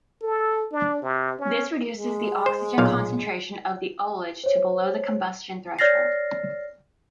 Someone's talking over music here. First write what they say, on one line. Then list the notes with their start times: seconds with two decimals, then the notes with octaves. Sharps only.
This reduces the oxygen concentration of the ullage to below the combustion threshold.
0.21 A4
0.72 D4
1.02 C3
1.39 C#4
1.93 G#3
2.46 C5
2.78 B1 A#2 F5
4.44 C5 C#5
5.79 C#5 D5 F6 A6 A#6 C7